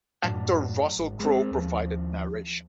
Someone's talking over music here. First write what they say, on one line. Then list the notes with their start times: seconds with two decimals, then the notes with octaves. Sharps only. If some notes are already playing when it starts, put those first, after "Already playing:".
Actor Russell Crowe provided narration.
0.23 F#2 A2 F#3 D4
0.98 G#1
1.20 G#3 C4
1.51 D#2 F3